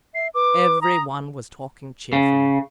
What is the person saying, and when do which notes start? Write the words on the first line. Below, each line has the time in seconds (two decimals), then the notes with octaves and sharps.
Every one was talking cheerfully.
0.15 E5 C7
0.34 B4 D6
0.82 A#5 D#6
2.13 C#3